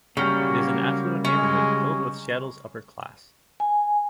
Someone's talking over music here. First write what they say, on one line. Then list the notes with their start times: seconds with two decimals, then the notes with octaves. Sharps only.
It is an affluent neighborhood, filled with Seattle's upper class.
0.17 C#3 F#3 G3 A#3 C#4
1.25 G#3 C#4
3.60 G#5